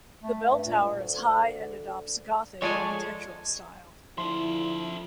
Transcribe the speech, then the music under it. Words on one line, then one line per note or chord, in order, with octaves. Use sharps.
The bell tower is high and adopts Gothic architectural style.
A3
G2
A#2
D2
F3 G#3 F4 A4 C#5 D5 G#5
D3 F3 E4 F4 E5 C6